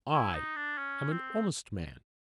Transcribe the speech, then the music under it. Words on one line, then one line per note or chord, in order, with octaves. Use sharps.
I am an honest man.
E4
D#4
D4
C#4
C4